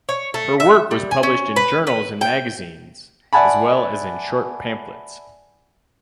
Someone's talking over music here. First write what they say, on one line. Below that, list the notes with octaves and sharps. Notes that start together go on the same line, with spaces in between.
Her work was published in journals and magazines as well as in short pamphlets.
C#5
A3
E5
G3
G#5
C#4
B4
B4
G5
D5 E5 F#5 G#5 A5 B5